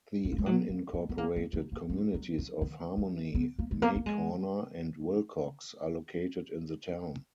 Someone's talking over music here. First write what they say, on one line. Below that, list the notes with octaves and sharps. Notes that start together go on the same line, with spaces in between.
The unincorporated communities of Harmony, May Corner, and Wilcox are located in the town.
B3
A#3
G#3
F#3
A#3
B3
B3
A#3
A#3
A#3
A#3
G#3
F#3
F#3
D#3
F3
B3
A#3
G#3
A#3
A#3
G#3